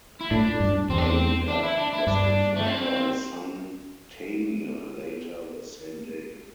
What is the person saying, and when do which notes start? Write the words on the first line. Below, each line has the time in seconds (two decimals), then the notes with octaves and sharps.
His brain death was confirmed by his son Tamir later the same day.
0.21 E4
0.30 A2 D4
0.60 G2
0.89 E2 C4
0.98 D4
1.07 C4
1.48 D4
1.63 E4
1.77 D4
1.93 E4
2.07 G2 D4
2.56 A3
2.66 C4